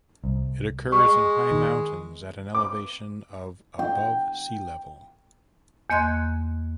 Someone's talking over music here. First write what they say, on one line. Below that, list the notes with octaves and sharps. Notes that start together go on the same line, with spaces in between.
It occurs in high mountains at an elevation of above sea level.
C2
G#3 C#6
D#3
D6
G5
E2 A#3 D#5 C6 F#6 G#6